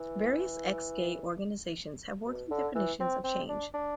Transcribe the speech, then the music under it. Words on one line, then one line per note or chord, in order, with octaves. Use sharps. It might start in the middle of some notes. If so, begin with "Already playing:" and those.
Various ex-gay organizations have working definitions of change.
Already playing: E3
B2
D3
E3
C4
C4
D4
D4